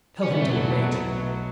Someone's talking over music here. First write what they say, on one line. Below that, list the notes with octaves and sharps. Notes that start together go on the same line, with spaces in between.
Tell him to wait.
C#4
B3
A3
E2 B2 F#3 B3 E4 A4
B1 B2 A3